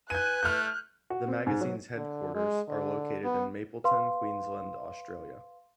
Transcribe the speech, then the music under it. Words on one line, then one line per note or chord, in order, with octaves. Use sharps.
The magazine's headquarters are located in Mapleton, Queensland, Australia.
B4 G#5 F#6 G6 D#7
A3 F6 G6
F#4
C4
G#2
F#3
D3
G#3
D3
B3
B4 F5 C6